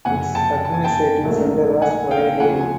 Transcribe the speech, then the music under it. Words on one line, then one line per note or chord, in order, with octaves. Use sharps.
Its administrative centre was Orhei.
F#1 F2 C3 F#5 G#5
G5 A5
A5
G#5
G5 A5
A#1 G#2 D#3 F#3 A3
F#5 G#5
F5 G5
D2 C#3 F3 F#5 G#5
G#5